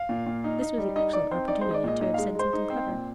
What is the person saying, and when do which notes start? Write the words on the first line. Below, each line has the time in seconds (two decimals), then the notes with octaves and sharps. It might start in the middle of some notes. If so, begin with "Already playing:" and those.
This was an excellent opportunity to have said something clever.
Already playing: F5
0.09 A#2
0.26 A#2
0.44 D#4
0.61 D#4
0.78 G3
0.96 D#4 D#5
1.13 D#4 D5
1.31 C4 C5
1.48 D#4 D5
1.61 G#3 C5
1.71 D#5
1.74 D5
1.84 A#2 D#5
2.00 D#4 D#5
2.14 G#3 F5
2.35 G#3 C5
2.53 D#4
2.70 C4
2.89 A#2